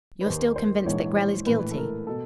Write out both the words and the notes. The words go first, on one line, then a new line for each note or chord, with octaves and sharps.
"You're still convinced that Grell is guilty?"
B4
D#2 D#3 C5
C5
A#1 G#2 E3 C#5
C5
A#1 A2 E3 B4
A4
A#4
B2 A4